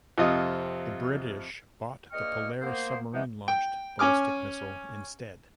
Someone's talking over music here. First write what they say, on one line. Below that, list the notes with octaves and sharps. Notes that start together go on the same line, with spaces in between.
The British bought the Polaris submarine-launched ballistic missile instead.
F2 C3 F4 D#5 D#6
D2 A#3 D#5 G5 C#6 F6
A#3 B3 C5
E3 F3 G#3 B3 D#4 E4
G5
C#4 G#5 D6 F6